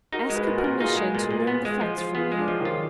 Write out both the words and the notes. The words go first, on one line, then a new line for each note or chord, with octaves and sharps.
Ask her permission to learn the facts from me.
D#4 F#4 A#4
G#3
G#4 B4
A#2
F#4 A#4
A#2
D#4 F4 G#4
G#3
A#2
A#2
B3
G#3
F3
F4
B3 F4 G#4
G#3
D4 F4
F3
D#3 F#3
F4